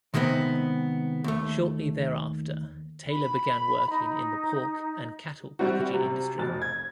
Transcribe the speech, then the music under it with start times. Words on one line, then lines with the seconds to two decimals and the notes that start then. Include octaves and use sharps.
Shortly thereafter, Taylor began working in the pork and cattle packaging industry.
0.14 C3 D#3 G#3 B3 C4
1.24 D#2 A3
3.09 B5
3.90 D#4
5.59 G3 C4 E4 F#4
5.93 F#2 C3
6.38 F1 F2 B2 A6
6.62 G#6